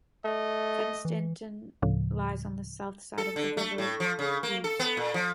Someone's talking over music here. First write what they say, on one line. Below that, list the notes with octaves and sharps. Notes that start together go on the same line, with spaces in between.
Fenstanton lies on the south side of the River Ouse.
A3 D#5
E3
D2 A2 C#3 F3
A4
D3
A3
A2
F3
C#3
A#3
A4
B3
A#2
F3